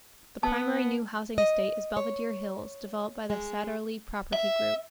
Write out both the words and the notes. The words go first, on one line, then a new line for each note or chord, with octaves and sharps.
The primary new housing estate is Belvedere Hills, developed by the Satterley Property Group.
B3 A5
D#5
C#5
G#3
E5